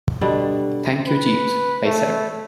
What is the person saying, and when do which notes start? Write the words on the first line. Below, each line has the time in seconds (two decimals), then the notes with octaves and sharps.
"Thank you, Jeeves," I said.
0.21 B2 D3 G3
1.07 B4
1.84 A3